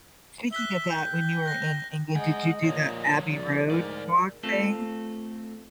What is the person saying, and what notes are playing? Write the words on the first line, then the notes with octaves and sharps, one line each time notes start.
Speaking of that, when you were in England, did you do the Abbey Road walk thing?
E5 F#6 B6 G7
G5
F#6 A#6
G#3 D#5 F#5 G#5
A#2 F3 C#5
C2 D5
D2 G#2 A#4 D5
A3 C4 F4 A4